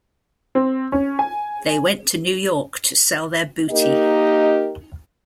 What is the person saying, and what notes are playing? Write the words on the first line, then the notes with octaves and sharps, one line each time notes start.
They went to New York to sell their booty.
C4
C#4
G#5
A#3 D#4 G4 A#4 D#5